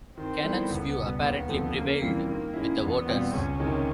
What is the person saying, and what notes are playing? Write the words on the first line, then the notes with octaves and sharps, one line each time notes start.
Cannon's view apparently prevailed with the voters.
D#3 C4
G3 B3 E4 A4
C#2 B3
B2 G3
D#2 B3
D3 F3 A3 C4
C#3 A#3
E3 G3 C4 F4
D#3 A#3
G#3 C#4 E4
E2 B3
B2 G3 C4 F4
C#2 C#4
C3 D#3 G#3